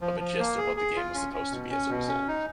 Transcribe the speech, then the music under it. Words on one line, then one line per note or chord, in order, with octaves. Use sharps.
of a gist of what the game was supposed to be as a result.
F3
F3
A#3
G#4
G#4
F4
C#4
C#4
B2
C#4
B2
C#4
D#4